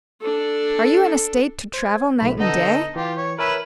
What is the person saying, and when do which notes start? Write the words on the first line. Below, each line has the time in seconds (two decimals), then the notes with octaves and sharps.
Are you in a state to travel night and day?
0.21 D4 A4
1.74 C5 G#6
2.20 B1 A3 B5
2.40 D3 B3 D#4 A4 D#5
2.96 E3 F4 G4
3.17 C#5
3.39 E4 A#4 B4 C#5 G#5